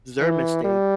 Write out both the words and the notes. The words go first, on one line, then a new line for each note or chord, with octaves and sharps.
their mistake
E3
G3